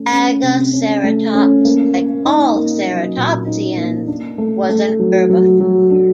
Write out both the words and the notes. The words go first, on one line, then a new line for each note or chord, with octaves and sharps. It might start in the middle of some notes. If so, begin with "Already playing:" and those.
"Bagaceratops", like all ceratopsians, was a herbivore.
Already playing: A3 C#4
C#4
C3
C#4
A3
C#4
A#3
A#3
D#4
A#3
F#3
A#2
D#4
A#3
D4
A3
A3
F#3
F#3
F#3
D4